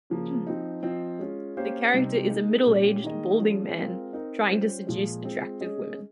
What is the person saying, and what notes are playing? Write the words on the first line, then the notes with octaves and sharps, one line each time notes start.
The character is a middle-aged, balding man trying to seduce attractive women.
C#3 F3 A#3
F3 C4 D#4
F3 C4 F4 C5 D#5
G#3 C#4 F4
A#3 C#4 G4 C5 F5
C3 G3 C4 D#4
A#3 D#4 G#4 D#5
A#2 G3 C#4 G4
D#3 A#3 D#4 G#4 D#5
F3 G#3 C#4 F4 G#4
G#3 C4 F4 A#4 F5
C4 D#4 A#4 D#5
G3 C#4 F4 C5
A#2 F3 G#3
G#3 C4 F4 C5
G#3 C#4 G#4 D#5